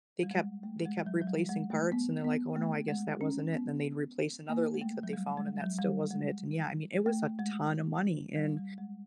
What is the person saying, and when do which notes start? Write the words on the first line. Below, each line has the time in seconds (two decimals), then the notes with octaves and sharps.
they kept they kept replacing parts, and they're like, "Oh, no, I guess that wasn't it." Then they'd replace another leak that they found, and that still wasn't it, and, yeah, I mean, it was a ton of money, and,
0.23 G3
0.31 G#3
0.63 A3
0.85 G#3
1.06 F#3
1.22 F#3
1.27 G3
1.49 G#3
1.70 A3
1.92 B3
2.24 B3
2.56 A3
2.88 G#3
3.21 C#4
3.53 B3
4.49 A#3
4.74 G#3
4.81 A3
5.03 F#3
5.13 G3
5.37 G#3
5.46 G3
5.62 F#3
5.79 G3
6.11 G#3
7.06 A3
7.39 G#3
8.36 G3
8.57 G3
8.78 G#3